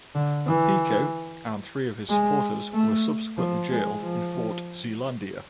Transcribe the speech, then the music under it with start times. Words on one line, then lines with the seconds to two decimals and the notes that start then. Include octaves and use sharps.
Piko and three of his supporters were subsequently jailed in Fort Zeelandia.
0.15 D3
0.47 E3
2.09 G#3
2.74 A3
3.38 F3
3.71 G#3
4.02 F3